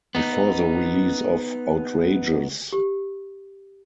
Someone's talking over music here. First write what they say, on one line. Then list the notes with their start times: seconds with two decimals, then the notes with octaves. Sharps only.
Before the release of Outrageous!
0.15 B3 D#4
2.72 G4